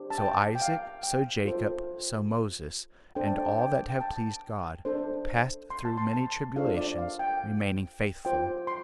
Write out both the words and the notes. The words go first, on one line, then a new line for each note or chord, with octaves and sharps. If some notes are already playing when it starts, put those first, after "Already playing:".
So Isaac, so Jacob, so Moses, and all that have pleased God, passed through many tribulations, remaining faithful.
Already playing: D4 G4 C5
A5
G5
G5
F5
G5
F4 A4 C5
D4 A4 C5 G5
A5
G5
G5
G5
A5
D4 A4 C5
C6
A5
C6
A5
D4 F4 A4 C5 F5
D5
F5
G5
F4 C5 G5
C6